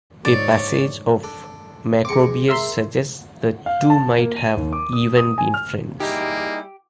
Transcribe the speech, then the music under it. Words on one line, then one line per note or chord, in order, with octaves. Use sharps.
A passage of Macrobius suggests the two might have even been friends.
G#2 C#5 D5
D4 A4
G#3 C4 D6 C#7
A#4 E5 C6
F5
A5
A#3
D#7
D#2
D6
D#6
D#6
G#5
F6
G3 A#3 D#4 E4 G4 G#4